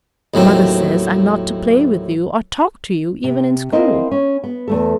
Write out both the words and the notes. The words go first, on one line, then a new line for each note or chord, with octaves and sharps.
Mother says I'm not to play with you or talk to you even in school.
D#2 A2 F#3 C4
C3
A#3 C4 E4 A#4 C5 D#5
C#4
B3
E2 A3 A4